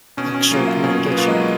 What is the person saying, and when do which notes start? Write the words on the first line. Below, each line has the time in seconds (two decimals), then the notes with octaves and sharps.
actual communication.
0.17 B2 C#4
0.34 C#4
0.51 F#3 A#3 F4
0.67 F4
0.83 B2 C#4
1.06 B3
1.17 F#3 A#3 F4
1.27 G#3